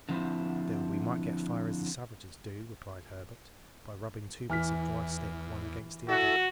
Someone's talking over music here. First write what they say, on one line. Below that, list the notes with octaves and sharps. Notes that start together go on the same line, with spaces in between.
"Still we might get fire as the savages do," replied Herbert, "by rubbing two bits of dry stick one against the other."
D3 F3 C4 E4
E2 E3 F6 B6
E4 F#4 A4